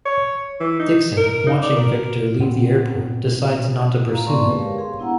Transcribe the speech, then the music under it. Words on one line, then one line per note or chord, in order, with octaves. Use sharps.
Dixon, watching Viktor leave the airport, decides not to pursue him.
C#5
E3
D#4
A#4
D#4
D5
A#4
A#2 B3 C4
A#3 F4 F#4 F5 A#5
A#3 B3 D5 A5 C6 C#6
G#3 G4 G#4 B4
G4 A#4 C#5 F5
G#4 F5 C6
B3 D4 E4 F5 F#5 A#5